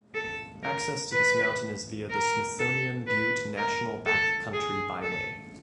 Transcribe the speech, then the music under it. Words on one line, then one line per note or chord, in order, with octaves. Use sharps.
Access to this mountain is via the Smithsonian Butte National Back Country Byway.
A4
A#4
B4
A#4
A4
B4
A#4
A4
G#4
A4